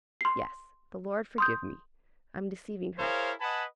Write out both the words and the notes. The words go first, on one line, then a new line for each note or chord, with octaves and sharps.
'Yes; the Lord forgive me--I'm deceiving her.'
C6 C7
C6 D#6 G6
E4 G#4 A#4 C5 C#5 F5
B4 D#5 F#5 G#5 A5 B5